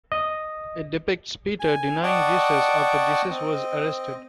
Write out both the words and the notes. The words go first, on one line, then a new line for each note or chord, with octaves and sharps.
It depicts Peter denying Jesus after Jesus was arrested.
D#5
G#5
D5 D#5 F#5 G5 A5 C#6
C4 D#5